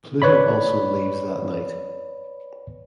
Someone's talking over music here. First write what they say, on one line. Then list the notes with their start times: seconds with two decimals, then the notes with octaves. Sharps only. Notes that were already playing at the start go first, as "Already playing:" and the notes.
Pluto also leaves that night.
0.22 B4 C#5 D5 B5